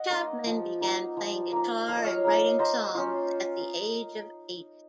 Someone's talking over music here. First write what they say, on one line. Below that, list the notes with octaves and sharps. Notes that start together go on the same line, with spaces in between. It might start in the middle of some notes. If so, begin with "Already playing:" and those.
Chapman began playing guitar and writing songs at the age of eight.
Already playing: D#5 F#5
A#3 D#4
F3
A#3 D#4
F3
A#3 D#4
F3 F5
D#5
C#5 F5
A#3 D#4
A#3 C5 D#5
C#4 F4